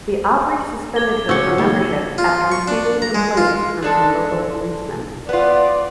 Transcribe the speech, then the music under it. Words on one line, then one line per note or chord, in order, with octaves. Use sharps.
The Opry suspended her from membership after receiving complaints from some local policemen.
D6 G#6 G7
C#3 F#4 E6 C#7
D#2
F4
C#6
D4
A#5
G#3
F4
G#3 D4 A4
B3 F4 D5